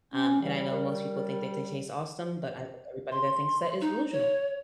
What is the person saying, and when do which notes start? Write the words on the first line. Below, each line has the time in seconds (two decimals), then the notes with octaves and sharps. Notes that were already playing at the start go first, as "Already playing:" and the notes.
um, and I know most people think that they taste awesome, but I think everybody that thinks that is delusional.
0.12 C#4
0.42 E3 G3
0.71 A#4
0.89 A#4
3.12 C6
3.81 D#4
4.12 C#5